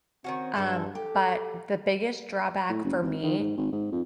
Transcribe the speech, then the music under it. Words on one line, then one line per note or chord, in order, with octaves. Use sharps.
um, but the biggest drawback for me
D#3 C4 C#4 F#4
G2 G#3 A4 E5
G4 A4
A2
F#1
G#1
D#3
G#2
G#1
G#2
F2